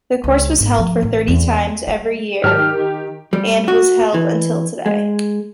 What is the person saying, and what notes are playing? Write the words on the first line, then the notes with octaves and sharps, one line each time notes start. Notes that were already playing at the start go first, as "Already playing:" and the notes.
The course was held for thirty times every year and was held until today.
C#2
G#1
F3
A1
E2
G3
G#2 D#3 F#3 G4 A5 F6
G3
F#4
E3
G#3